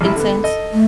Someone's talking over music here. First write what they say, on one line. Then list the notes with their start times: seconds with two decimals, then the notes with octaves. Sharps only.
in sense?
0.01 A#1 C3 E4
0.15 D3 B3
0.44 A4 D#5
0.73 A3